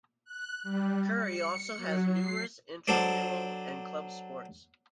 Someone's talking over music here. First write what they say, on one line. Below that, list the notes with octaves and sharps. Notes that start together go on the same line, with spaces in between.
Curry also has numerous intramural and club sports.
F#6
G3
C#7
F#3
C7
F#3 D4 A4 C5 D5